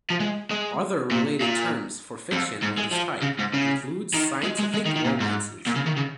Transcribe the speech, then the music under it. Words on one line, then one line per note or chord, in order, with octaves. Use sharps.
Other related terms for fiction of this type include scientific romances.
F3
G#3
G#3
A#2
A#2
F2
G#2
G#3
F3
C#3
G#2
C#3
D#3
G#3
G#3
G#3
D#3
D#3
A#2
G#2
A#2
C#3
D#3
C#3